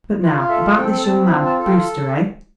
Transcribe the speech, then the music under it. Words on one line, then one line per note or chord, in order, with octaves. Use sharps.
But now about this young man--Brewster--eh?
F4 B4
F5
A4 E5
C4 G5
C4 A5
B5
F4
A5
A4
G5